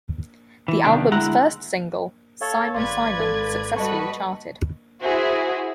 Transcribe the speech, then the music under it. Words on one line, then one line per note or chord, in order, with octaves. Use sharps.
The album's first single, "Simon Simon", successfully charted.
E3
C3 D#3 F3 G3 B3 D4
D2 G#3 E4 F#5 A#5
A4 C#5 F5
G#1 B4 D5 F5 C6 G#6
A4
G3 F#4 B4 D#5 A5 C#6
E4 F#4 G#4 C5 E5